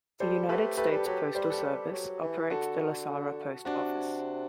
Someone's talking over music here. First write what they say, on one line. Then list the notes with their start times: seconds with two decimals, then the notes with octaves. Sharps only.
The United States Postal Service operates the Lasara Post Office.
0.20 G3 A4 C5
0.49 A3 G4 B4
0.77 A3 G4 B4
0.92 G3 A4
1.06 F#3 G4 B4
1.35 G3 C5
1.44 B4
1.50 A4
1.58 G4 B4
1.64 G3
1.93 F#3
2.22 E3
2.50 D3 F#4 A4
3.65 C3 D4 F#4